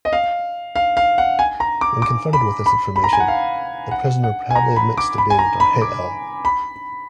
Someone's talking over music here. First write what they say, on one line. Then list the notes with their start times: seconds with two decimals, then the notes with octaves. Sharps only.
When confronted with this information; the prisoner proudly admits to being Darhe'el.
0.05 D#5
0.13 F5
0.76 F5
0.97 F5
1.18 F#5
1.39 G#5
1.60 A#5
1.81 D6
2.02 D6
2.33 B5
2.66 B5
2.96 B5
3.04 A#5
3.13 G#5
3.20 F#5
3.28 F5
3.91 F#5
4.24 F#5
4.50 G#5
4.55 A#5
4.76 B5
4.98 D6
5.18 B5
5.30 G#5
5.39 A#5
5.60 B5
5.81 D6
6.45 B5